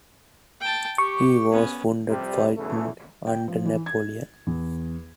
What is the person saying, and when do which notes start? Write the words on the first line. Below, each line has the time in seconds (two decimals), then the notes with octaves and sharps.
He was wounded fighting under Napoleon.
0.60 G5 A5
0.98 G4 C#6
1.51 B3 C#4
2.09 F2 C3 G3
2.57 B1 E2 C#3 E3 A3
3.27 G5
3.48 F3
3.65 E3
3.86 G#6
4.47 E2